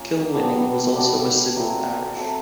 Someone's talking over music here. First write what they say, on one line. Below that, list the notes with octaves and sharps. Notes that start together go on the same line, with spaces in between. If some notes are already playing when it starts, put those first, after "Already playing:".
Kilwinning was also a Civil Parish.
Already playing: A#3 C#4 F4
G3 B3 D4 F#4
G3 B3 D4 F#4
F#3 A3 C4
F#3 A3 C4